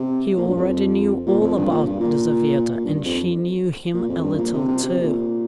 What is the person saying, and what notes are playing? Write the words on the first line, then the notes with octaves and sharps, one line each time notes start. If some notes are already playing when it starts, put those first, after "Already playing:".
He already knew all about Lizaveta and she knew him a little too.
Already playing: C3
A#2
G2
F2
A#2
F2
G2
A#2
G2
A#2
A#2
G2
G2
F2
A#2
F2
G2
A#2
C3
C3
C3
A#2